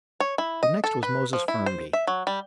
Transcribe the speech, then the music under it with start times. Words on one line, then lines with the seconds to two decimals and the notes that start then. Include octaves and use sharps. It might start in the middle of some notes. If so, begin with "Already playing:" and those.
The next was Moses Firmby.
0.20 C#5
0.38 E4
0.63 D#5
0.84 A4
1.03 B4
1.33 F3
1.48 E4
1.66 C5
1.93 E5
2.07 F#3
2.27 G3